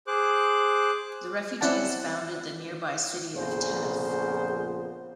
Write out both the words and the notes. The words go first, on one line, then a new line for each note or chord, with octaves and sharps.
The refugees founded the nearby city of Tennis.
G#4 C5 D6 F#6
C4 C#4 E4 D5 F#5 A5
A#1 F2 C#3 B3 C5